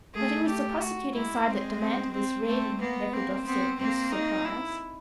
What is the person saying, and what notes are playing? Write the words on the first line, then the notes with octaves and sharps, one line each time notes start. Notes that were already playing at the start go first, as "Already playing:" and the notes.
"But it was the prosecuting side that demanded this reading," Nekhludoff said, with surprise.
A3 G#4
G4
F#4
G#3 E4
G#3 C4
C4
C4
A3 C4
A#3 B3
A#3 C4
B3 C4
A#3 C4
D#4
E4